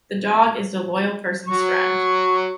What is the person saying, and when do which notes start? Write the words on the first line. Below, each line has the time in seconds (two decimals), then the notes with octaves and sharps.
The dog is the loyal person’s friend.
1.48 F#3 C#6